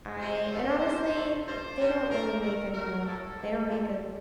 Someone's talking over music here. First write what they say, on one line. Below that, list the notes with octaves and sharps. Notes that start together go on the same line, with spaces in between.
I and honestly, they don't really make enough, they don't make a
C3 F3 A3 C5
G2 D#3 A3
A2 G3
G2 F3 A3
G2 F3 A3 C5
C3 G3
G2 F3 A3 A#4
G2 D#3 A3 A#4
A#2 A3 A#4
A2 F3 A3 A4
G2 F3 A3
A#2 A3